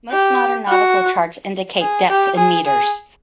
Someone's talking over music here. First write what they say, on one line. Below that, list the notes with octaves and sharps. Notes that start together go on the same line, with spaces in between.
Most modern nautical charts indicate depth in metres.
G4
F#4
G#4
G4
G#4
G#4